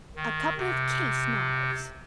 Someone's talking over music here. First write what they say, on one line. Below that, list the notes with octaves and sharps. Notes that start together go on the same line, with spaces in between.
"A couple of case-knives."
D#3
C3